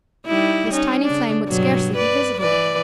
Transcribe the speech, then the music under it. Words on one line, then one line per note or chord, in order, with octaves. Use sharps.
This tiny flame would scarcely be visible.
G3 D#4 E4
C#4 D#4
C#3 D4
G2 B2 F#3
B4 D5
E3 B4 D5